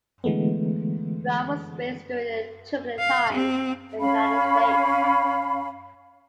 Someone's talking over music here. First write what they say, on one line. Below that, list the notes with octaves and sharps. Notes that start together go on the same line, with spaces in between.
Brown was raised during turbulent times in the United States.
D3 E3 G#3 A3 B3
F5
C4
C#4 F5 B5